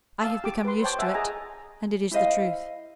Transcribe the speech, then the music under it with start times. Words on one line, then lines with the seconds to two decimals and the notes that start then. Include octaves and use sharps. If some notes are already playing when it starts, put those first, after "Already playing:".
I have become used to it,--and, it is the truth.
0.22 F5 A5 E6
0.44 G4 D6
0.65 B4 C6
0.82 C5 C#5 G5 A5 D6
0.99 E5 F#5 G#5 A5
1.14 G#4 D#5 G#5 A#5
2.11 E4 C5 D#5 F5